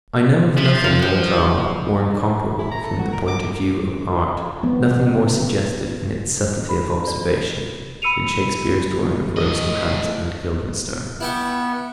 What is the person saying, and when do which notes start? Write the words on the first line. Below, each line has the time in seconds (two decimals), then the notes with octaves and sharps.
I know of nothing in all drama more incomparable from the point of view of art, nothing more suggestive in its subtlety of observation, than Shakespeare's drawing of Rosencrantz and Guildenstern.
0.57 F3 E5
0.84 F4
0.99 F#5 G5
2.59 E4
2.71 A#5
2.83 A4
2.99 F#4
3.13 A#4
3.28 D6
4.63 D#3 F3 B3 C4
4.92 G2 C#3
6.69 B5
7.07 D5
8.02 B5 E6 C#7 D#7 F7
9.37 A2 D#5
11.21 B3 E4 G5 C#6